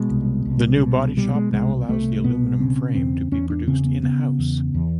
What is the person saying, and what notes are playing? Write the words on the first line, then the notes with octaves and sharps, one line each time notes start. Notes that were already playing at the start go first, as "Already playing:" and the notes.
The new body shop now allows the aluminum frame to be produced in-house.
Already playing: B2 G#3
C2
C2
B2
B2 G3
G#3
C2 G#3
C2 A3
B2 B3
C#3 C4
E2 C4
E2 C#4
D4
C#3 C4
B3
C#3 B3
E2
E2